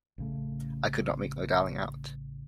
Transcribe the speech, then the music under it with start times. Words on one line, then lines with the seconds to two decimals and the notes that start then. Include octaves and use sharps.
I could not make my darling out.
0.18 A1 C#3 A3